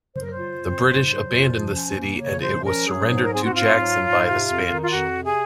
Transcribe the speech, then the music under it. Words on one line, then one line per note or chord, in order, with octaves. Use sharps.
The British abandoned the city and it was surrendered to Jackson by the Spanish.
F#3 C5
A#4
C5
F4
C4
G#2
F#3
F4
F3
C#4
A#3
C#3 C#5
F3 C5
C#4 A#4
F#3 G#4
G#2
A#4
C4 G#4
F#4
G#2 F4
F#3
G#2
C3
F2
D#3
F4
F2 F#4
C3
G#4